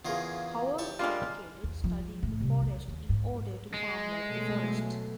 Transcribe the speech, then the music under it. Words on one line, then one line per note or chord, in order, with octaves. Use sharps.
Howard advocated studying the forest in order to farm like the forest.
E2 C#3 F4 G#4 A#4
G4 A5 C#6
G3 G#3 A#3 D4 F4
E2
F3
A2
C2
E2
D#2
G#2
G#3
B2 F#3 A3